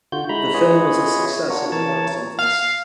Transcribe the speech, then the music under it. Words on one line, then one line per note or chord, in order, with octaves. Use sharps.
The film was a success at the box office.
D3 F4 F#4 G6
G#3 E4 A#5 B5
E4 F4 G#4 B4 C#5 D#5
D4 F4 F#4 A#4 C#5
E3 A#4 C#5 A5
F5